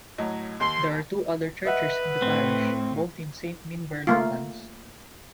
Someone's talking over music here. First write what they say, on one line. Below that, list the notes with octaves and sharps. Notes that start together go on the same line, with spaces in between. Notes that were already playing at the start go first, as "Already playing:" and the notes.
There are two other churches in the parish, both in Saint Minver Lowlands.
A2 F#3 D#5
D#2 C6
B4 D#5 E5 F#5
A2 C4
A3 A#3 F4